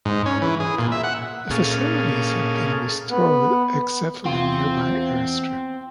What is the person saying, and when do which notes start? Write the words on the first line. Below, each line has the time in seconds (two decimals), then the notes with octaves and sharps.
The facilities have been restored except for the nearby airstrip.
0.05 G#2
0.26 C#4
0.42 E3
0.60 G#4
0.79 A#2
0.92 E5
1.04 F#5
1.51 A#2 C#4 G#4 A4 F5 D#6
3.10 B3
4.25 E2 C4 F4